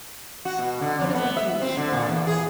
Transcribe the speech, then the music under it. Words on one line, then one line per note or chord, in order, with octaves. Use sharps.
What is the use?
F#4
B2
D3
F2
B3
E5
C4
D3
A#2
E2
G#4